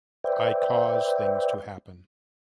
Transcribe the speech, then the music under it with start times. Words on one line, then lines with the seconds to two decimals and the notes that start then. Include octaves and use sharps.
I cause things to happen.
0.24 B4 C5 D5 E5 G5